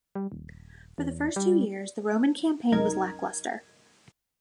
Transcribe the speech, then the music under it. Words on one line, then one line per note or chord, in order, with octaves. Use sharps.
For the first two years, the Roman campaign was lacklustre.
G3
D#1
E2
G3
C2 F#2 D#4 A#4 G#6